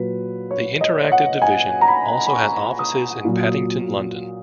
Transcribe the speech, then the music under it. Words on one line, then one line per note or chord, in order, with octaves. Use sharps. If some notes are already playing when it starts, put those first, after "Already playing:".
The interactive division also has offices in Paddington, London.
Already playing: A#2 F#3 B4
C#5
D#5
F#5
G#5
A#5
B5
B5
C#6
D#6
A#2 F#3